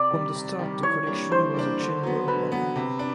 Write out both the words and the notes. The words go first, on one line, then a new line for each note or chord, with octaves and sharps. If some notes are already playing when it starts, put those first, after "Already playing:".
From the start the collection was a general one.
Already playing: C3 D5
D#3 G3
C3
D#3 G3
E3 C#5
G3 A#3 D4
E3 C5
G3 A#3 D4
D3
F#3 B3
D3 B4
F#3 B3
C3
D4